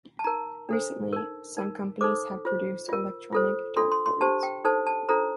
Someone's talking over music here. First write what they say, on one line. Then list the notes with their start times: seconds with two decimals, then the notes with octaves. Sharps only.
Recently, some companies have produced electronic dartboards.
0.19 A5
0.24 D#4 A#4 A#5
0.69 D4 A4 C5
1.13 D#4 A#4
1.57 D#4 A#4
2.01 D#4 A4 C5 D6
2.45 F4 C5
2.89 F4 A#4
3.32 F4 A4 C5
3.76 D4 F4 A4 C6
3.92 C6
4.06 C6
4.21 D4 G4 C5 A5
4.43 G5
4.64 D#4 A4 C5 A5
4.87 A5
5.09 D4 F4 A4 C5 A#5